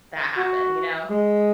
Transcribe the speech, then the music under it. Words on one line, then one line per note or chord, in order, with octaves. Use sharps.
that happen, you know?
F#4
G#3